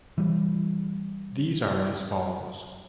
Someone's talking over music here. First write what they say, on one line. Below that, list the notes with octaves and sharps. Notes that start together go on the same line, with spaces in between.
These are as follows.
E3 G3